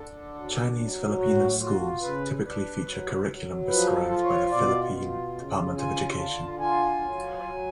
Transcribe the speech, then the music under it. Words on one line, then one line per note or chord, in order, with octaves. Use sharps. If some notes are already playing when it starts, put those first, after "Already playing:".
Chinese Filipino schools typically feature curriculum prescribed by the Philippine Department of Education.
Already playing: D3 D4 A4
F#3
F#3
A2 F#4
F4 F#4
C#3 B4
D4 B4
F#3
F#3
F3 B4
A4
F4
C#5
B2 D5
F4
C#3
F4 G#5
D3 A5
F4 G#5
F#3
F#3